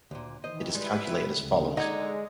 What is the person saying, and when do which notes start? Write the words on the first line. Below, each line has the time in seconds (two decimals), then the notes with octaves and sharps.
It is calculated as follows.
0.11 D2 A#2
0.44 D#3 E3 C5 D#5
0.75 G3 G#3 E4 B4
1.36 D2 C#3
1.77 D3 G#3 D#4 D#5 F#5 A#5 G#6